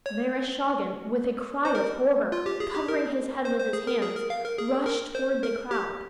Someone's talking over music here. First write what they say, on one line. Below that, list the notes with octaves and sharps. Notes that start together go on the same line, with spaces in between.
Vereshchagin with a cry of horror, covering his head with his hands, rushed toward the crowd.
C#5
C5
A#4
F4
G4
G#4
G4
A#4
C5
C5
G#4
A#4
G#4
A#4
F5
A#4
G#4
A#4
C5
A#4
G4